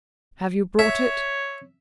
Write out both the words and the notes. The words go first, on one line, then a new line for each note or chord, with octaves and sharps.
"Have you brought it?"
C#5 E5